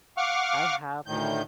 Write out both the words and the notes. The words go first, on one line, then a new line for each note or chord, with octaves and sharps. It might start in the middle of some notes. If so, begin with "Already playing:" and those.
I have
F5 F#5 C#6 D6 F6
D2 A2 D#3 G6